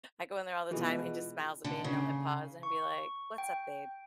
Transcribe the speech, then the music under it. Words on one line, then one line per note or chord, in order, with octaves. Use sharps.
I go in there all the time, and he just smiles at me, and he'll hit pause and be like, "What's up, babe?"
B2 E3 F3 G#3
D3
C#3
C#6
G5